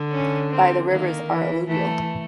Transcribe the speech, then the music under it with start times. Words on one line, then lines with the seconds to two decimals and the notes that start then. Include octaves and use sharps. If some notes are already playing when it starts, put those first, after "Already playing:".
By the rivers are alluvial.
Already playing: D3
0.12 C#4
0.51 C4
0.90 D#3 A#3
1.29 E3
1.67 E3 A3